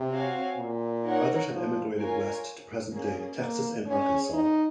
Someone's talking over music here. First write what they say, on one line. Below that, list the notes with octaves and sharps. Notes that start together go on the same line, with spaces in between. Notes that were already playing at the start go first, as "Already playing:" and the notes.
Others had emigrated west to present-day Texas and Arkansas.
Already playing: C3
C4 F#4 C#5 F5 G#5
A#2
D#4 A#4 C#5 F#5
F3
F4 A#4 C#5 G#5
A#3 C#4 G#4
A#3
C#4 G#4 C#5 G#5
D#4